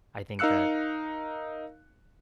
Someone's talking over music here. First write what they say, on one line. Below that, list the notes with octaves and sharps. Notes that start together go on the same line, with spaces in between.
I think that
D#4 A#4 F5 E6 F#6 C#7